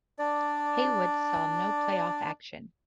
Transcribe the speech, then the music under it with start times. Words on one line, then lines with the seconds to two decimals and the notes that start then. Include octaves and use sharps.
Haywood saw no playoff action.
0.19 D4 D5